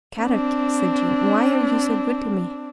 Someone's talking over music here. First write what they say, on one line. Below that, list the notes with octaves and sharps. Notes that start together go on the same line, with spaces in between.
"Kadok," said Jean, "why are you so good to me?"
C4 D4